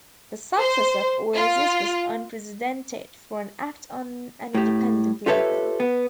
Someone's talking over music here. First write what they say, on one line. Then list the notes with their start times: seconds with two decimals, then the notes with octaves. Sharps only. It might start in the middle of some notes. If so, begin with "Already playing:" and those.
The success of Oasis was unprecedented for an act on an independent label.
0.58 C5
1.36 F4
4.55 A2 G4
5.26 F4 G4 A4 B4 C#5 E5
5.80 B3